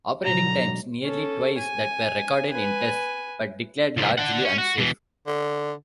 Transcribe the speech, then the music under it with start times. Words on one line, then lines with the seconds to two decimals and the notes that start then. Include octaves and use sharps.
Operating times nearly twice that were recorded in tests, but declared largely unsafe.
0.25 B2 D3 F#3 A#5
1.03 C#4 A4
1.58 G#5
2.52 B4 G#5
3.97 C#2 A#2
4.18 D4 F#5
4.45 C#4
4.58 F#4
4.78 B2 E3
5.27 D3